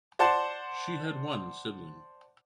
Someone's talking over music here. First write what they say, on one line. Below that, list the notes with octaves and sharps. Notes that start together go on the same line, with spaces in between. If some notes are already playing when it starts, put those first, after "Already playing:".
She had one sibling.
C5 D5 F#5 A5 C6